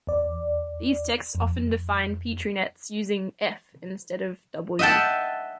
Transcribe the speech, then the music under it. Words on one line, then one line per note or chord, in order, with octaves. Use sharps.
These texts often define Petri nets using "F" instead of "W".
E2 D5
F2
D#5 E5 F#5 G5 A5